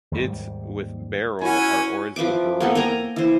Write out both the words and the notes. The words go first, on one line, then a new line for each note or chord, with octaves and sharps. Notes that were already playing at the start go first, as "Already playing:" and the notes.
It, with beryl, are ores of beryllium.
D#2 G#2 G3
C#4 E4 F#4 G#5
F3 B4 E5 D6
A#3 B3 A4
A#4 G5 G#5 A#5
E3 C5